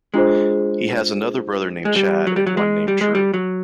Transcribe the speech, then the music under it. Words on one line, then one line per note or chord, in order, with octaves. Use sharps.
He has another brother named Chad and one named Drew.
G#3 D4 F4 G#4 C5
G#3
G3
F#3
G3
F#3
G#3
G3
G#3
G3
F#3